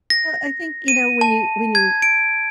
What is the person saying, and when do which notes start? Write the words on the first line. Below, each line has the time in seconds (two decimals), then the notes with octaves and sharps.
Uh, I think, you know, when you when you
0.10 A#6
0.88 D#7
1.21 A5
1.75 G#6
2.02 D7